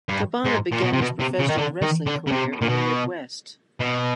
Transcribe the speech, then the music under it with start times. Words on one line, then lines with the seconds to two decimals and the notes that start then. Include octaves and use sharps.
Cabana began his professional wrestling career in the Midwest.
0.09 G2
0.45 G#2
0.72 A#2
0.83 B2
0.93 C3
1.01 B2
1.20 C3
1.39 C#3
1.49 D#3
1.57 D3
1.82 D#3
2.07 D3
2.27 C#3
2.32 C3
2.62 A#2
2.69 B2
3.80 B2